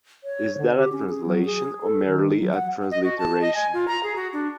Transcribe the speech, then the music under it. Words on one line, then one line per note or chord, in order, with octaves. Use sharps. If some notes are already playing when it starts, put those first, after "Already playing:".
Is that a translation, or merely a transliteration?
C#5
D3
G4
C#4
G#4
F#3
G#4
A4
D#3
F#3
F#5
D#5
F#4
A5
D#5
G#5
F4
A#5
G#4
F#4
D4